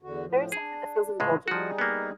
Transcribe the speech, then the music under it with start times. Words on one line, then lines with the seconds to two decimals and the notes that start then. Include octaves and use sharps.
there is something that feels indulgent.
0.03 E2 D3 F#4
0.26 A2 F3
0.52 D4 G#4
1.20 C#2 A2 G#3
1.48 F3 G3 D#4 F#4 G#4
1.79 A#3 B3